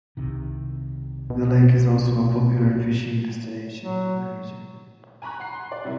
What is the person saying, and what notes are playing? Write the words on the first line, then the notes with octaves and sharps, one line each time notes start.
The lake is also a popular fishing destination in the region.
C2 C3 D#3
B2
F#3
G#5 A#5 B5 C#6 F#6
F#5 A#5 C7
C6
D5
C3 G3 E4 A#4